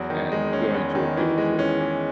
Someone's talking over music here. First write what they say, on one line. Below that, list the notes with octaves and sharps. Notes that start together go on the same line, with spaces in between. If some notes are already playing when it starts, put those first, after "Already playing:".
and going to a beautiful,
Already playing: E2 F#3
D#3
G#3
C#4
E2
D#3
E3
G#3
C#4
E3